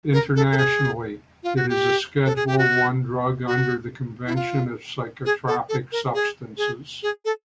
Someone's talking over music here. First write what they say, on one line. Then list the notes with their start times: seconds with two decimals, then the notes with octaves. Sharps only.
Internationally, it is a Schedule One drug under the Convention on Psychotropic Substances.
0.13 A#4
0.36 A4
0.52 A4
0.57 G#4
1.43 F4
1.56 F#4
1.69 G4
2.25 A4
2.36 G#4
2.47 G4
2.58 F#4
3.47 F#4
4.26 E4
4.36 F4
5.25 G#4
5.47 A4
5.69 A4
5.92 A#4
6.14 G#4
6.58 G#4
7.03 G#4
7.25 A4